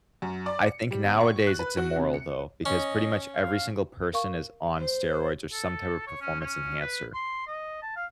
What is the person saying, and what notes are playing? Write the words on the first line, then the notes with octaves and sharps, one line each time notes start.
I think nowadays, it's immoral, though, because pretty much every single person is on steroids or some type of performance enhancer,
F#2
D5
C#7
G3
G1
C#6
F#6
B4
F#4
C3
C#7
C#4 D#5
F5
A#4 F5 C#6
C5
A4
C#5
C#4
C#4
B4
C6
D#5
A5
F5